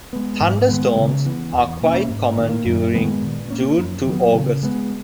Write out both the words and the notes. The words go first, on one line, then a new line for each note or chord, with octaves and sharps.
Thunderstorms are quite common during June to August.
G#3 B3
G#2
D#3 G#3 B3
C#3
E3 B3
E2
B2 A#3 C#4
G#2
D#3 A#3
F#2
D#3 G#3 B3
A#2
A#3 C#4
F#2
D#3 F#3 B3
C#3
G#3 B3